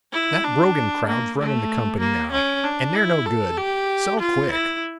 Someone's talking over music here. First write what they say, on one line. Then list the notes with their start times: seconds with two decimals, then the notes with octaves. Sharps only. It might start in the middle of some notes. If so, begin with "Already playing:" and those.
That Brogan crowd's runnin' the company now, and they're no good, sell quick.'
0.12 E4
0.44 D4
1.07 A#3
1.38 A3
2.00 A#3
2.32 C#4
2.64 D4
2.95 E4
3.26 A4
3.57 G4
4.20 F4
4.52 E4